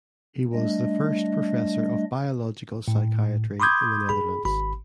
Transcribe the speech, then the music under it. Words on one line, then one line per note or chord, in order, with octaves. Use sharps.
He was the first professor of biological psychiatry in the Netherlands.
G3 A3 D4 D#5
A2
B5 C6 D6 D#6 G6 G#6
G#4 B5
G#1 B5